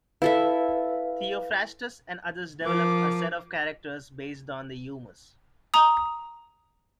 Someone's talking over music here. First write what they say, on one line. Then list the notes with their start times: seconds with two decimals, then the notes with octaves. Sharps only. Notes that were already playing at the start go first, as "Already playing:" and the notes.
Theophrastus and others developed a set of characters based on the humors.
0.22 E4 A4 B4 E5 F5
2.64 F3 A#4 D6
5.74 A#5 D#6